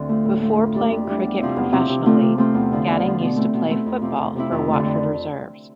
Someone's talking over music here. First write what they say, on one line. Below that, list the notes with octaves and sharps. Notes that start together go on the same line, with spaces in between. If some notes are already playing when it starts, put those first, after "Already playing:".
Before playing cricket professionally, Gatting used to play football for Watford reserves.
Already playing: D2 D3 C4
F3 A3
A2
F3 A3
F2
E3 G3 D4
F2
E3 G3 D4
E2
C3 F3 C4 E4
E2
C3 F3 C4 E4
C3
F3 A3 C4 F4
C3
F3 A3 C4 F4
E2
D3 F3
E2
D3 F3
B2
A3 C4 E4
B2
A3 C4 E4
F2
C3 F3 C4 E4
F2
C3 F3 C4 E4
F2
A3
D3
F2